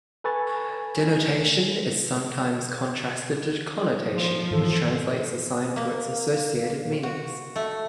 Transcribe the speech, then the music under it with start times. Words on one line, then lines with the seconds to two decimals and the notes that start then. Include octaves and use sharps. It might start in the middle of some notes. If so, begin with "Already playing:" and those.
Denotation is sometimes contrasted to connotation, which translates a sign to its associated meanings.
0.24 A4 B4 G#5 C#6 A6
1.23 A3
4.13 F3
4.51 G#2 D#3 E3 A4
5.76 A#3
7.03 F#4
7.56 A3